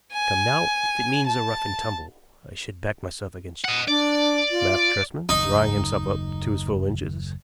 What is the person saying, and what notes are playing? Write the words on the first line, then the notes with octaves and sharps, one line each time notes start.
"Come, now, if it means a rough-and-tumble, I should back myself against you," laughed Tresman, drawing himself up to his full inches.
G#5
A5
D#5 F#5
D4 D5
F4
F#1 D#2 D#4